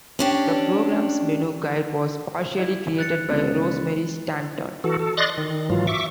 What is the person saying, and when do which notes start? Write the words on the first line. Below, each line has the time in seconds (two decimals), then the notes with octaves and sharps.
The program's menu guide was partially created by Rosemary Stanton.
0.19 C#4 D4 G4
2.59 E4 D5
2.98 F#6 A6 C#7
3.29 C#2 B2 A#3 B3
4.84 E3 F#4 A4
4.99 A4
5.17 D5 D#5 C6 F#6 A6 A#6
5.38 D#3
5.70 G#2 E3 F#3 F4
5.87 E5 C#6 D6